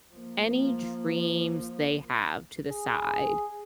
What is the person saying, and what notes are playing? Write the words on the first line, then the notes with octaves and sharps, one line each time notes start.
any dreams they have to the side.
F3 A#3
G#4